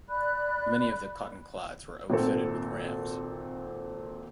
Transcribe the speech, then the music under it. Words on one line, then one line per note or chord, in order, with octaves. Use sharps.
Many of the cottonclads were outfitted with rams.
D5 B5 F#6
G#1 A#2 C4 A4